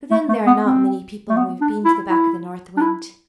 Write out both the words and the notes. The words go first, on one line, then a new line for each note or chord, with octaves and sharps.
But then there are not many people who have been to the back of the north wind.
A3
A3
B3
C4
A3
B3
D4
E4
E4
D4
E4